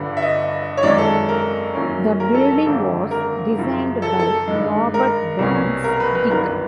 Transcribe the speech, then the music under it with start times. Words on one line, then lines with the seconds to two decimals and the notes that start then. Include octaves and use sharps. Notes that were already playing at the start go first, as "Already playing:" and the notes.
The building was designed by Robert Burns Dick.
Already playing: G1 G2 D3
0.17 E5
0.22 D#5
0.77 C#5
0.83 G#1 F#2 D#3 G#3 C#4 D5
0.98 A4
1.29 A#4
1.74 F#2 D#3 F#3 A#3 C#4
2.20 A#4
2.34 A4
2.50 A4
2.66 G#1 F#2 D3
3.11 A#4
3.57 F#2 C#3 F3
4.02 A4
4.20 A4
4.48 G2 D#3 G#3
4.94 A#4
5.39 C2 B2 G3 A#3 C#4
5.84 A#4
6.00 B4
6.15 B4
6.30 G1 F#2 D#3 G3 B3 A#4
6.45 B4